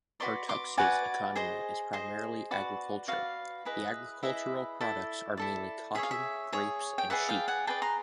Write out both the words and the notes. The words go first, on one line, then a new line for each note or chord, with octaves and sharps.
Artux's economy is primarily agriculture, the agricultural products are mainly cotton, grapes, and sheep.
F#4 B4 D5 C6 D6
C6 D6
F#4 B4 D5 F#5 G#5
G#4 C5 D#5
G#4 C5 D#5
F#4 B4 D5
F#4 B4 D5 D#5 F5
E4 G#4 B4 D#5
E4 G#4 B4 D#5 E5
E4 A4 D5
E4 A4 D5
G#4 C#5 E5
F5
E5
G#4 C#5
G5
G#4 B4 D5 E5 F#5
F5 G5
F#5 G#5
G#4 B4 D5 G5 A5
A#5 C6